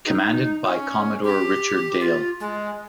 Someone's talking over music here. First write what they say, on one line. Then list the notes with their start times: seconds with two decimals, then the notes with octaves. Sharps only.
Commanded by Commodore Richard Dale.
0.06 D#4
0.64 C#4
1.23 G4
2.00 F4
2.40 G#3